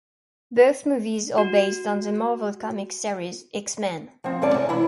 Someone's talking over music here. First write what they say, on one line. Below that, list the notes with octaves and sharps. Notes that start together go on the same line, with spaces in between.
Both movies are based on the Marvel Comics series "X-Men".
F#4
F3 C4
D2 G#2 C#4 D5 A5
C3
E3 E4